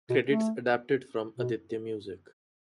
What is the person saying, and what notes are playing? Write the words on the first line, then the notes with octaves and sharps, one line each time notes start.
Credits adapted from Aditya Music.
B2
A3
B2